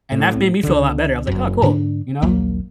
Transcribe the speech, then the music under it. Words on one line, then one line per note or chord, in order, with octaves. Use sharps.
And that made me feel a lot better, I was like, "Oh, cool. You know?
A2
C#2 D3
F#1 F#2
G#2 D3 C#4 D4
A#1 D#2 F#3 A#3